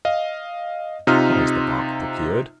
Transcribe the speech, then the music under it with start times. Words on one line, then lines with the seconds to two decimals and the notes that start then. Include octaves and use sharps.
How is the bark procured?
0.05 D#5 F5
1.07 C3 D#4 F4 D#6 F6